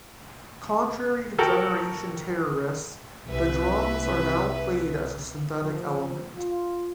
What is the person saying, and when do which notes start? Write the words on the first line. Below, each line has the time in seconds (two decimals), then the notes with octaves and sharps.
Contrary to Generation Terrorists the drums are now played as a synthetic element.
1.38 F#4 A4 A#4 G5
3.28 C2 B4 E5
5.63 F3
6.36 F4